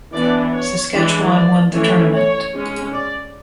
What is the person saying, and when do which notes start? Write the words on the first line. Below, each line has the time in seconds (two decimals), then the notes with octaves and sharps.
Saskatchewan won the tournament.
0.13 E3 B3 D4 D5
0.54 C#5
0.94 E3 G#3 D4
1.34 D5
1.73 E3 A3 C#4 C#5
2.12 C#5
2.53 G#3 C#4
2.92 D5